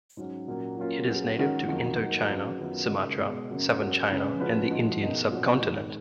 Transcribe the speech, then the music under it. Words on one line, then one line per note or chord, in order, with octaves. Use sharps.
It is native to Indochina, Sumatra, southern China, and the Indian Subcontinent.
G#2 F#3 C#4
A#2 F#3 A#3 C#4
F#3 A#3 C#4 F4
F#3 C#4 G#4 B4
D#3 G#3 C#4 F#4 A#4
F2 D#3 F#3 A#3 F4
G#2 F#3 A#3 D#4 F#4
F#3 C#4 G#4 B4
F#2 D#3 F#3 B3 F4
C#3 G#3 D#4 F#4 A#4
B2 G#3 B3
F#2 C#3 F#3 A#3
F#3 A#3 C#4 F#4 A#4
C#3 G#3 C#4 G#4 B4
F3 G#3 C#4 F#4 B4
F3 G#3 D#4 F#4
B2 G#3 B3 D#4 A#4
A#2 F#3 C#4 F#4
G#2 D#3 G#3